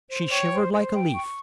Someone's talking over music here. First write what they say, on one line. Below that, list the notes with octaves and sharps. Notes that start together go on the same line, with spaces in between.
She shivered like a leaf.
C5
C#5 G5
C5
C5
G5
C#6